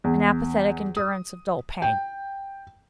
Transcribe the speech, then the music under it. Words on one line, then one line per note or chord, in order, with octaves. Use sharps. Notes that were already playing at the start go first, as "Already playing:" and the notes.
An apathetic endurance of dull pain.
E2
D#6
G5